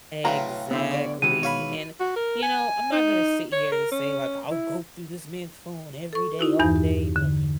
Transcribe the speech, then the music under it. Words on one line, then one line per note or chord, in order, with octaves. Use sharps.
Exactly, and, you know, I'm not gonna sit here and say like, "I'll go through this man's phone every day, all day, and li
A2 C#3 F#3 B4 F5 G5 A#5 C6
D3 B3 E4 C5 E5
C#5 D5
B2 D#3 E3 G#3 F#4 D#7
C#5 F5 B5
F#4
A#4
G#5
D#4
C#5
A#4
C#4
E4
A4 C#6
D#4 E4 F#4
E2 G2 E3 D#4 G6
G4
D3